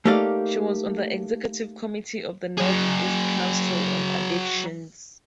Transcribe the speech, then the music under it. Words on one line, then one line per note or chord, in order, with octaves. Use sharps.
She was on the executive committee of the North East Council on Addictions.
A3 A#3 D#4 G4 D5 F5
F#3 G#4